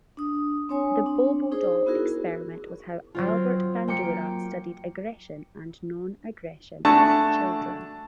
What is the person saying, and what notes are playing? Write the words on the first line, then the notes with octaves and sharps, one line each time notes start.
The Bobo Doll Experiment was how Albert Bandura studied aggression and non-aggression in children.
D4 D#6
C4 D4 C#5 G#5 D#6
D4
D#4 G#4 C5
B3 E4 F#4 G#4 A#4
F#3 C4 F4
A#3 G5 D6 C#7
A3 D4 F#4 G#4 A5